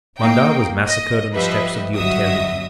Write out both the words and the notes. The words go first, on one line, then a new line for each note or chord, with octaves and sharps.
Mandat was massacred on the steps of the Hotel-de-Ville.
A#3 D#4 G5
D#5
F3 G3 B4 D#5 E5
G1 F#2 F#3 D#5 E5 D#6